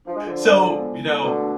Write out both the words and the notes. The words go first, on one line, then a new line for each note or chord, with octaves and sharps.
so, you know,
F3 D4
G#3 F4
D3 F3
G#4
D4
G#3
B3
E4
A4
B2 D3 A3
D4